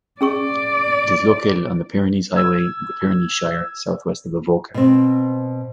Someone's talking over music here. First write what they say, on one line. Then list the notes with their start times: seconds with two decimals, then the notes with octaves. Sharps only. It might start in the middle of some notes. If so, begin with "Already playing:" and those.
It is located on the Pyrenees Highway in the Pyrenees Shire, south-west of Avoca.
0.21 C#4 G#4 D5 C#6
2.36 E6 G#6
4.74 B2 C4